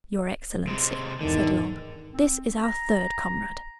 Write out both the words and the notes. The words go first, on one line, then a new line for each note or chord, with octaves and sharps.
'Your excellency,' said Long, 'this is our third comrade.
C3 G#3
E2 G#2 D3 D#3
C4
A#5